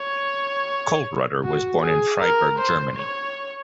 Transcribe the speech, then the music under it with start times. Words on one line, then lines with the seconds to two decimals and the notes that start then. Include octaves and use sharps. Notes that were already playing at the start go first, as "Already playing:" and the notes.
Koellreutter was born in Freiburg, Germany.
Already playing: C#5
1.44 F#4
1.81 G#4
2.20 A#4
2.58 C5
2.96 C#5